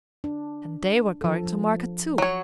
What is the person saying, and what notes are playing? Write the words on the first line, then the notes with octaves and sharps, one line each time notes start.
And they were going to market too.
D4
F3 A4
F#3 C#5